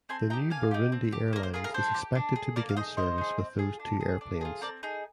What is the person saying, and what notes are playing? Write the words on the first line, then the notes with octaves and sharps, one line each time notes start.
The new Burundi Airlines is expected to begin service with those two airplanes.
C4 G#5 C6
D#4 G4 G5 A#5
A#3 F5 G#5
D#4 G4
C4
G4
A#3 A#4
C5
F4 G#4 A#4
A#4
D4 C5
G4
D4
G#4
A#3 A#4 D5
F5
D#4 G#4 C5 D#5
A#3 C5 D#5
D#4 G#4
C4
F4 G#4
D4
G#4
D4
F4 G#4
C4 A#4 D5
D#4 G#4